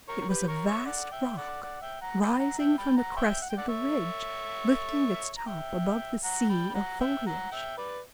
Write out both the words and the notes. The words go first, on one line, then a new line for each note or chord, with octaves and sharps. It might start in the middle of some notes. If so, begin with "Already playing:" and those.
It was a vast rock, rising from the crest of the ridge, lifting its top above the sea of foliage.
A#4 C#5
A#4
G4 B4
A#4 C#5
C#5 E5
D5 F#5
E5 G5
E5
D5 F#5
D5 F#5
E5 G5
F#5 A#5
G5 B5
G5
F#5 A#5
E5 G5
G5 B5
F#5 A#5
E5 G5
F#5
G5
D5 F#5
C#5 E5
A#5
E5 G5
F#5 A#5
G5 B5
B5
F#5 A#5
E5 G5
F#5 A#5
E5 G5
B4 D5